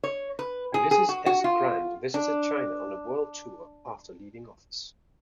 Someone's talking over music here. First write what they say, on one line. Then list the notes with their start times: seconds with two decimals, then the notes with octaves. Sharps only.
Ulysses S. Grant visited China on a world tour after leaving office.
0.04 C#5
0.39 B4
0.74 G#4
0.91 G#4
1.09 F#4
1.26 F#4
1.44 F4
2.14 D4